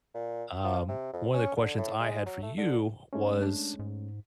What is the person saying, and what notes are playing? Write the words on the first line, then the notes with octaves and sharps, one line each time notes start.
Um, one of the questions I had for you was,
A#2
F3
C3
F2
C#4
D3
A2
G#3
F#3
A3
D3
G#3 A3 C#4
D4
G#2